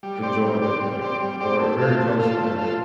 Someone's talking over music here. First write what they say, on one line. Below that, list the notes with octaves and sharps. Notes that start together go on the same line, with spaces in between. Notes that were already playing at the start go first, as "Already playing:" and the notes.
enjoy it, like or very close to there,
G3
C4 G4 D5
G3
C4 G4 D5
G3
C4 G4 D5
G3
C4 G4 D5
A3
F4 A4
A3
F4 A4
A3
F4 A4